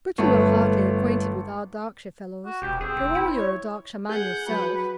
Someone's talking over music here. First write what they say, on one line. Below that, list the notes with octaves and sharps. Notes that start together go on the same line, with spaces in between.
But you are hardly acquainted with our Darkshire fellows, for all you're a Darkshire man yourself.
G1 A3 B3
F#4
E1 G4
C4 G#4
F1
E4
C#5
G#4 F#5 G6
F#3 F#4 B4